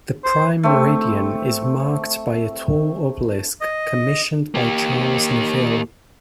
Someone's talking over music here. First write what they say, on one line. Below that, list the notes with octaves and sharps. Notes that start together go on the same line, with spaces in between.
The Prime Meridian is marked by a tall obelisk, commissioned by Charles Neville.
C5
A3 C4
D#5
A#3 G4